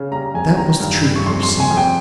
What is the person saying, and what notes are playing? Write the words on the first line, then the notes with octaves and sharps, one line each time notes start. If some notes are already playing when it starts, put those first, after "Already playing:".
'That was the treatment, you see.
Already playing: C#3
G3 A#5
F2 G#5
D#3 A#5
G2
G2
C#6
F2 C6
C6
F2
G#5
F2
G5